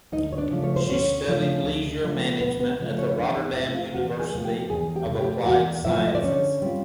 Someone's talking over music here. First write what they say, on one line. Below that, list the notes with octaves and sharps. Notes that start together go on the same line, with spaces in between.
She studied leisure management at the Rotterdam University of Applied Sciences.
D2 D#4 D#5
C#5
D4 D5
C#3 F3 A3
C#5
C5
D2 C#4 C#5
C#3 F3 A3
D2
C#3 F3 A3
D2 B3 B4
B3 B4
C#3 F3 A3
C#4 C#5
E2 D4 D5
D#4 D#5
C3 F3 A3 E4 E5
F4 F5
E2 F#4 F#5
G#4 G#5
C3 F3 A3
G4 G5
E2 G#4 G#5
G4 G5
C3 F3 A3
G4 G5
E2 F#4 F#5
C3 F3 A3 E4 E5
E5
D#5
D5
D3 C#4 C#5
G3 C4 F4